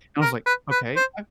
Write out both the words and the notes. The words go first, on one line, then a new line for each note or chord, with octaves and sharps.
I was like, "Okay, I've"
A#4
B4
B4
C5